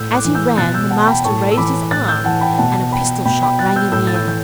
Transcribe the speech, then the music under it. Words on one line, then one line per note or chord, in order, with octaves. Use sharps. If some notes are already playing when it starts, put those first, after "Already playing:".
As he ran the master raised his arm and a pistol shot rang in the air.
Already playing: A2 E6 G6
D6 F#6
E3
E6 G6
B2 F#6 A6
E6 G6
F#5 A5
G5 B5
A2 A5 C#6
E6
E3 B5 D6
A2 F#6 A6
E6 G6
E3 F#5 A5
G5 B5
G5
B2 F#5 A5
G5 B5
B2 G5 B5
G5 B5
F#6 A6
E6 G6
A2 E6 G6
A6
E6 G6
E3 G6